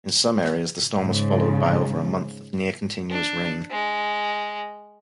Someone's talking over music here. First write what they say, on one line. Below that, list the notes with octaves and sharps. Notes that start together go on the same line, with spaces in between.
In some areas the storm was followed by over a month of near-continuous rain.
G#2 C#3
D4
G#3